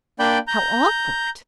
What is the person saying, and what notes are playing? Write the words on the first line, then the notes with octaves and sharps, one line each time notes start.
'How awkward.
A#3 D4 D5 G5 B5 G6
A#5 G6